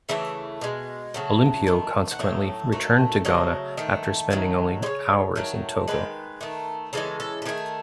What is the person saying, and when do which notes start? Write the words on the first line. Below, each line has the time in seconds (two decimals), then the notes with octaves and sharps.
Olympio consequently returned to Ghana after spending only hours in Togo.
0.09 C#3 E3 A3 E5
0.61 B2 G#3
1.14 C#3 F#3 A3
1.67 D#3 A3
2.12 F#5
2.19 A2 F#3 A3 E5
2.72 D#3 F#3 A3
3.25 C#3 F#3 A3 D#5
3.77 D#3 A3
4.30 D#3 F#3 A3
4.82 G#3 C#5
4.86 C#3
5.36 D#3 F#3 A3
5.88 D#3 G#3 B4
6.41 D#3 A3
6.93 C#3 E3 G#3 A4
7.20 A4
7.42 A4
7.46 D#3 A3 G#4